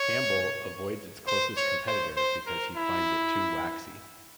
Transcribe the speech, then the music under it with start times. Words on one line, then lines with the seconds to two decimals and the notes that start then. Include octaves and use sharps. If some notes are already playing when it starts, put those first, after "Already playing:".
Campbell avoids its closest competitor because he finds it too waxy.
Already playing: C#5
1.27 C5
1.57 C#5
1.87 C5
2.17 C5
2.47 A#4
2.77 E4